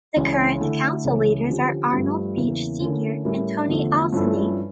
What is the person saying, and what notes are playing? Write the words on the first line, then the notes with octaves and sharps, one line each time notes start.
The current council leaders are Arnold Beach Senior and Tony Alsenay.
C#2 C#3 E3
D3 A3 E4 A4
C#2 C#3 E3 A3 C#4
D3 F3 C#4 G4
G2 F3 A3 D4 G4
E2 C#3 E3 A#3
D3 A3 C#4 E4 A#4
A2 G3 C#4 E4 A#4
E2 D3 F3 A3
G2 F3 C#4 E4 A4